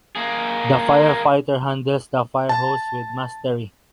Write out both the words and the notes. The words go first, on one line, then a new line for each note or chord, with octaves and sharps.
The firefighter handles the fire hose with mastery.
A#3 G#4
A5